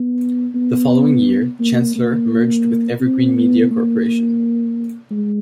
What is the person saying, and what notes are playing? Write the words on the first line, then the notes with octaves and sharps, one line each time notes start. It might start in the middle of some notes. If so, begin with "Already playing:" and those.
The following year, Chancellor merged with Evergreen Media Corporation.
Already playing: B3
B3
A#3
A#3
C4
B3
A#3
G#3